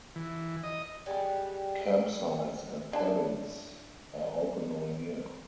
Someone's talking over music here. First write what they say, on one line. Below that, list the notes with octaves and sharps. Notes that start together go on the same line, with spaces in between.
Campsites and cabins are open all year.
E3
D#5
G3 G#3 B3
D4 E4 A5